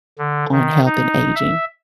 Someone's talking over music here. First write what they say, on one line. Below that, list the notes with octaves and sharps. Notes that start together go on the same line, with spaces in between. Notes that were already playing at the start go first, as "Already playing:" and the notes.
on health and aging
D3
D#3
D#4
E5